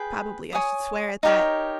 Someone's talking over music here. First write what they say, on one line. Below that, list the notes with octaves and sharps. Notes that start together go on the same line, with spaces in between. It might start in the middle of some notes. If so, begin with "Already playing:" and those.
Probably I should swear at that.
Already playing: G#4 B4 G5
C#5 G#5 D#6
D#4 G4 A#4 C#5